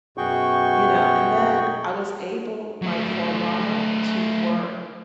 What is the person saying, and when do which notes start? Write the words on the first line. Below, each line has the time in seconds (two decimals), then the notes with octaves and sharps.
you know, and then I was able, like, for a while to work
0.17 F#2 B2 F#4 G#4 G5 C#6
2.82 F#3 A3